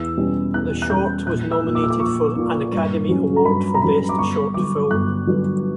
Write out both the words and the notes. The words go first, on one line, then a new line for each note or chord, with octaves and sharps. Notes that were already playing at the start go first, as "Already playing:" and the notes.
The short was nominated for an Academy Award for Best Short Film.
Already playing: E2 E6
B2 G3 C#4
E2 F#6
F#6
B2 G3 C#4 G6
A#1 F#6
E6
A#2 A#3
D6
E6
D6
A#1 C#6
A#2 A#3
G2
F#3 C#4
A#5
G2 B5
A#5
F#3 C#4 B5
D6
G1 C#6
G2 D3 F#3 D6
G1 F#6
G2 D3 F#3